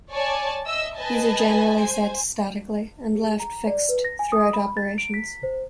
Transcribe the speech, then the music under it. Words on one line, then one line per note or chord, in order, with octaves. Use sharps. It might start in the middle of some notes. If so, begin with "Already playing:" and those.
These are generally set statically, and left fixed throughout operations.
C#5 D5 G#5 A5
D#5 E5 E6
B4 D#5 G#5 A5
C5 G#5
G#4
A#5
D5
B4
A#6
G#5
D#6
B5
A6
D7
B6
C5